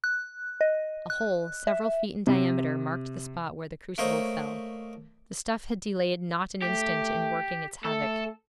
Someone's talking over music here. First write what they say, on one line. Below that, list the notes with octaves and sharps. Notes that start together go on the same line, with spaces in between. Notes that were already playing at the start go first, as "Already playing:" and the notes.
A hole several feet in diameter marked the spot where the crucible fell. The stuff had delayed not an instant in working its havoc.
F#6
D#5
F#6
E5
C3
A3 A#3 C5 C#5 D#5
A3 G4
A3 A4